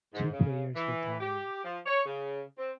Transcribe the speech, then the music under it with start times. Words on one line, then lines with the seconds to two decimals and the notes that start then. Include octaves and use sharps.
Two players retired.
0.14 G#2
0.33 C#3
0.75 E3
1.20 G4
1.64 F3
1.86 C#5
2.05 C#3
2.58 C4